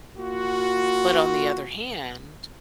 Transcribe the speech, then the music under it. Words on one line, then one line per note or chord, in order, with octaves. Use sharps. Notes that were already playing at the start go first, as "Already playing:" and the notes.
But on the other hand,
A#3 F4 F#4